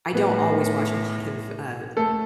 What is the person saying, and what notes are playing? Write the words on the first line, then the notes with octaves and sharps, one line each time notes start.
I don't always watch a lot of, uh,
A2 B3 B4
A3 A4